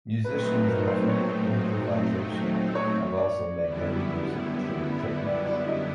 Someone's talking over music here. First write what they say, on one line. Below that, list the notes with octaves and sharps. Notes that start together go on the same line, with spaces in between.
Musicians in free improvisation have also made heavy use of extended techniques.
A#2 F#3 A3 C4 D#4 B4
B4
A#4
C5
C#5
C#5
D5
F#2 D3 G3 B3 E4 D5
D5
D5
D#5